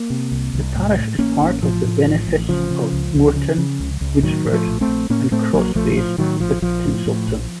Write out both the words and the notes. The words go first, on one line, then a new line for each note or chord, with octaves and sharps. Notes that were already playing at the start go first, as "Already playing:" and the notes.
The parish is part of the Benefice of Moreton, Woodsford and Crossways with Tincleton.
Already playing: A#3
C3
C2
C2
A2
A2
A1 A#3 C#4
A1
A2 F3
A2
A1
A1
C#3 F3
C#3
C#2
C#2
C#3
C#3
C#2
C#2
A2 D#3 F#3
A2
F3 A3
A#1
A3 C4
A#1
A2 A#3 C#4
A2 A3 C4
A#1 F#3 A#3
A#1 F3 A3
D#3
A2 F3
A2 D#3 F#3
A#1 F3
A#1 F3
A2
A2
A#1